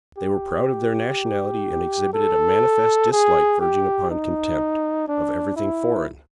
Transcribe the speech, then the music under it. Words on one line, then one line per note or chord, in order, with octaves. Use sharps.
They were proud of their nationality, and exhibited a manifest dislike, verging upon contempt, of everything foreign.
G4
A4
G#4
G4
D#4
D4
E4